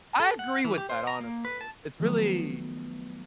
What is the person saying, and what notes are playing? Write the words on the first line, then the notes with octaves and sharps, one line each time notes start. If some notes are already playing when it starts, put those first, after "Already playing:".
I agree with that, honestly, it's it's really
A4
F#5
E3
G4
C5
A#5
A#3
B4
A5
D#3 F3 F#3 A3 B3